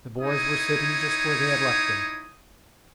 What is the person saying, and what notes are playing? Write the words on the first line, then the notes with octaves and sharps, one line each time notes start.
The boys were sitting just where they had left them.
D#4 E4 C#5 D#6